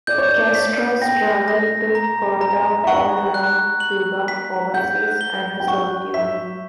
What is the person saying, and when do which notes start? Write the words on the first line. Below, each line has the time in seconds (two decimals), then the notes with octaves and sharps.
Castro's travels took Korda all around Cuba, overseas, and the Soviet Union.
0.07 D5 G6
0.18 C#5
0.28 D5
0.48 D5
0.55 C#5 B6
1.01 G5 A#6
1.48 A#6
1.95 A#5
2.41 A#5
2.84 E5
2.87 F#5 C#6
3.34 F#6
3.80 F#7
4.28 B6
4.74 F#5 G6
5.21 G7
5.60 G5
5.68 F#5 C#6
6.14 E5 B6